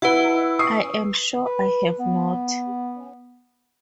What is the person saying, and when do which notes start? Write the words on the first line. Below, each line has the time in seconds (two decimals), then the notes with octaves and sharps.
I am sure I have not.
0.02 E4 B4 F#5 B5 E6
0.59 C#6 D#6 C7
1.45 B4
1.99 B3